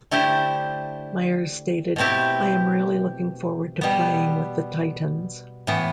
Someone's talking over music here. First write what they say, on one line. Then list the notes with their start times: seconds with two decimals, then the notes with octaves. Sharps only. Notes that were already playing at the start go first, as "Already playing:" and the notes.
Meyers stated, I am really looking forward to playing with the Titans.
0.11 D3 A3 E4 G4 C5
1.96 B2 A3 C4 E4 G4
3.81 B2 G3 B3
5.67 A2 E3 B3